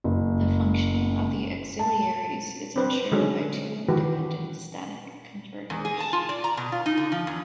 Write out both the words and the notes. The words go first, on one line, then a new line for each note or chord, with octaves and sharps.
The functioning of the auxiliaries is ensured by two independent static converters.
F#1
A5
C4 D4 B4 C5
D3 F#3 G#3 C#4 D#4 A4
D#3 E3 F#4 G4 B4
E2
G#4
A5
F4
D5
A#5
B2
F4
D#4
D3
F3
E2